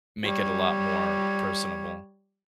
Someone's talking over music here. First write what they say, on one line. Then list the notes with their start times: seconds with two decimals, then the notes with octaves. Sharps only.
make it a lot more personable.
0.24 G3 C#5